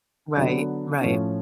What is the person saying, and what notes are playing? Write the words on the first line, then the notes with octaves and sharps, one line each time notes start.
Right, right.
D3 F#3 B3
A2 F3 A3 C#4